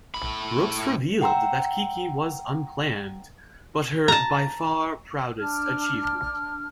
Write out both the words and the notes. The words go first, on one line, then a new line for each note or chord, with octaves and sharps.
Brooks revealed that Kiki was unplanned, but her "by far proudest achievement".
A2 B5
F#5 G5 A#5 C6 E6
A5 A#5
D4 F6